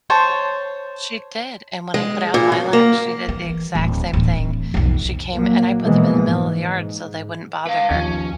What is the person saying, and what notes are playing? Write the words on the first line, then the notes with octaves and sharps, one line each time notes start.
She did, and when I put out lilac, she did the exact same thing. She came and I put them in the middle of the yard so they wouldn't bother her,
C5 C#5 A5
G#3
A#2
F#2
A#3
E3
D1
D1 E3
B1 F2
A#2 F#3 A#3
B2 E3 F3 G#3 A#3
G#2
B4 F5
D#2 F3 C#4